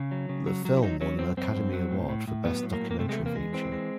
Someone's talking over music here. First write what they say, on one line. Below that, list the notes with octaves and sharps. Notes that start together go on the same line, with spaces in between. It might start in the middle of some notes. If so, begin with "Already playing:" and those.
The film won an Academy Award for Best Documentary Feature.
Already playing: C#3
F#3
C#3
F#3
F#3
E4
F#3 D#4
F#3 C#4
F#2 C4
F#2 C4
F#2
F#3
A2
A2
A2
F#3 B3
A2
A#3
A2
A#3
C3 A3
G#3
A3
E2
A#3
G#3
E3 C4
G#3